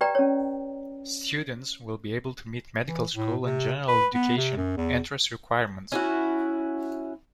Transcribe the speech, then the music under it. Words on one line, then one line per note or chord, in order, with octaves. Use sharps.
Students will be able to meet medical school and general education entrance requirements.
G4 B4 D5 G5 A#5
C#4 C#5
E3
A2
C3
B4
B3
C3
F#2
E2
C#4 E4 F#4